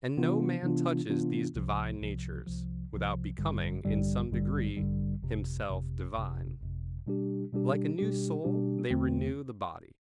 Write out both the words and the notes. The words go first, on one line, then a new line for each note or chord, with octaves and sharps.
And no man touches these divine natures, without becoming, in some degree, himself divine. Like a new soul, they renew the body.
C3 E3 B3 D4 F4
C3 E3 B3 D4 F4
C3 E3 B3 D4 F4
C2 C3 F3
C2 C3 F3
C2 C3 F3
C2 C3 F3
A1 G2 D3 G3
A1 G2 D3 G3
A1 G2 D3 G3
A1 G2 D3 G3
G1 F2 C3
G1 F2 C3
G1 F2 C3
G1 F2 C3
B2 G3 D4 G4
B2 G3 D4 G4
B2 G3 D4 G4
B2 G3 D4 G4
E2 D3 A3 C4